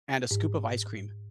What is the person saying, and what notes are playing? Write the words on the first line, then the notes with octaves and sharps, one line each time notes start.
and a scoop of ice cream.
G#2